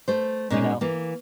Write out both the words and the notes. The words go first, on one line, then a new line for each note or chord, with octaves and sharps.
You know,
A3 C5
A#2 G#3 C#4 D#4
E3 A#3